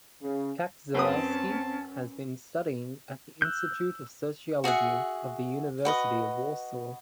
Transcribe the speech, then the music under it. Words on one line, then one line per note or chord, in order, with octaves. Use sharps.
Kaczorowski has been studying at the Institute of Sociology of the University of Warsaw.
C#3
F#2 C4 C#4 B4 A5 D#6
E6 F#6 G6
F#4 G#4 E5 F#5
F#4 B4 D#5